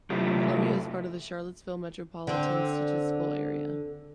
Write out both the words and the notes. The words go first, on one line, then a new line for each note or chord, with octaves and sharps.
Columbia is part of the Charlottesville Metropolitan Statistical Area.
C3 F#3 A3 E4 F4 G4
D3 C4